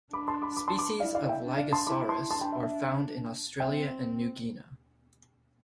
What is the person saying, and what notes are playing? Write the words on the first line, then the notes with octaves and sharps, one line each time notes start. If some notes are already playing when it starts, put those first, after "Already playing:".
Species of "Lygisaurus" are found in Australia and New Guinea.
D4 B5 D6
A5 C6
B5 D6
B5 D6
A5 C6
B5 D6
E4 D5 F5
D5 F5
E5 G5
D4
D5 F5
A5 C6
E4 B5 D6
A5 C6
D4 A5 C6
G5 B5
E5
E5
C4 E5 G5